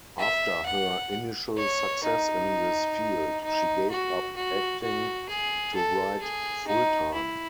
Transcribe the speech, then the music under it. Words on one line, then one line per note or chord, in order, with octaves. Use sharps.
After her initial success in this field, she gave up acting to write full-time.
E5
F#5
C#5
D#4
D#4
F#4
F#4
F#4
G#4
A4
G#4
D#4
E4